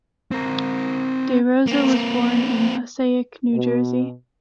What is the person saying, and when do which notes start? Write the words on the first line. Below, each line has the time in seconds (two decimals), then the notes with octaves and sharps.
DeRosa was born in Passaic, New Jersey.
0.31 C4 A#4
1.67 A#3 C4
3.53 B2